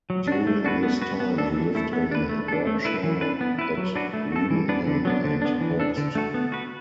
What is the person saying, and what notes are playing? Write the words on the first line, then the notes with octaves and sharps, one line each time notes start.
During this time, he lived in Berkshire, at Remenham and Hurst.
F#3
D4 F#4
A3
D4 F#4 B4
B3
F#4 B4
B3
D4 A4
E3
A3 E4 A4
B3
D4 B4
A3
D4 A4
A3
E4 B4
E3
D4 B4
B3
E4 B4
F#3
D4 F#4 B4
A3
F#4 A4
E3
B3 D4 B4
D3
F#3 B3 D4
D3
B3 D4
E3
D4 A4
D3
A3 F#4 A4
B3
F#4 B4